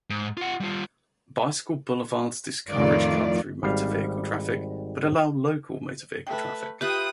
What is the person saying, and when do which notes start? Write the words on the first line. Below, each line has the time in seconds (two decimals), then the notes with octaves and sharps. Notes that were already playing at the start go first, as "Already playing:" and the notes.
Bicycle boulevards discourage cut-through motor-vehicle traffic but allow local motor-vehicle traffic.
0.10 G#2
0.37 F4 F#5
0.60 G3 F4
2.71 F2 A2 D#3 F4 D5
3.63 G#1 G3 F5
6.27 A3 B4 G5
6.81 F4 G4 B4 E5 G5 D#6 F#6